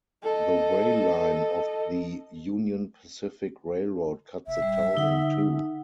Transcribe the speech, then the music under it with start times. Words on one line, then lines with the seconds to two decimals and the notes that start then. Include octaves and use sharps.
The rail line of the Union Pacific Railroad cuts the town in two.
0.23 A4 D#5
4.47 F1 E5
4.62 D1 G3
4.97 D3 D#4 F#5